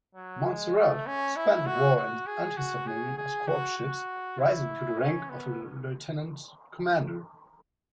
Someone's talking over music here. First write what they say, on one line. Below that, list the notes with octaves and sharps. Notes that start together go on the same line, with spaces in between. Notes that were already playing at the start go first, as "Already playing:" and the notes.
Monsarrat spent the war in anti-submarine escort ships, rising to the rank of Lieutenant-Commander.
F#3
G#3
A3
C#4
E4
F#4
F#4
G#4
F#4
G#4
G#4
F#4
F#4
E4
C#4
B3